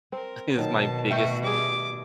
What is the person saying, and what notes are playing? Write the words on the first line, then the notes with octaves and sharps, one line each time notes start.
is my biggest
C4 A#4 C5
B2 D#3 F#3 A5
A3 F#4 E5 G5
G3 G#4 D6